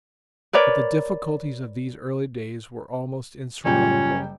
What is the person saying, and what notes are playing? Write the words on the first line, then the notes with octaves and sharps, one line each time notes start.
But the difficulties of these early days were almost insurmountable.
A#4 B4 C#5 D5
F#1 G3 C#4 F4 G5